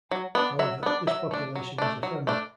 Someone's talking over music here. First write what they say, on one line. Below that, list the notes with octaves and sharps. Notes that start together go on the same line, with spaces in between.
However, this population was ephemeral.
F#3
B3 D4
F#3 E5
B3 D4
F#3 E5
A3 D4
F#3
A3 D4
F#3
A3 D4